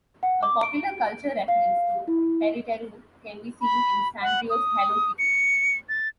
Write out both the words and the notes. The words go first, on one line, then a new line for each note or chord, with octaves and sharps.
A popular culture reference to Teruteru can be seen in Sanrio's Hello Kitty.
F#5
D6
D7
F5
E4
B5
F#5
D#6
C#7
A6